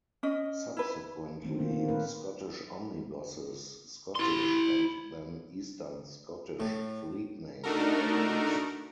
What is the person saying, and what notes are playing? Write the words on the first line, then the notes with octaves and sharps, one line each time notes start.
Subsequently, "Scottish Omnibuses", "Scottish", and then "Eastern Scottish" fleetnames were used.
C#4 D#5
E4 B4
D3 D#3 F#3 A3 A#3 C4
D#3 A#3 B3
A#3 C4
A#2 A3 C#4 A#4 B4
E4 C6
A2
A3 D4 D#4 F#4 A4 A#4